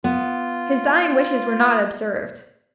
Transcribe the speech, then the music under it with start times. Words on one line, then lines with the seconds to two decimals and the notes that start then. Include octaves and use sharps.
His dying wishes were not observed.
0.04 B3 F4